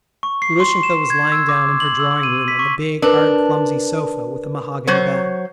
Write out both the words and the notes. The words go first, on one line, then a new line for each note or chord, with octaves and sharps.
Grushenka was lying down in her drawing-room on the big, hard, clumsy sofa, with a mahogany back.
C#6
C7
C6
E7
G#6
E6
D6
F#7
E6
D#7
B6
C#6
D4 A#4 B4
F#3 C5 C#5